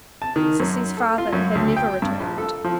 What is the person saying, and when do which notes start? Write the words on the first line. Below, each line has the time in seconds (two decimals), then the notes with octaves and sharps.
Sissy's father had never returned.
0.22 A5
0.36 D#3
0.60 F#2
0.97 A4
1.18 F4
1.33 F#2
1.55 D2
1.77 G5
2.02 G2
2.20 A#1
2.38 A4
2.64 F3